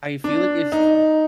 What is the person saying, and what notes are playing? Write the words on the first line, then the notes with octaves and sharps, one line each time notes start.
I feel like if s
D4
D#4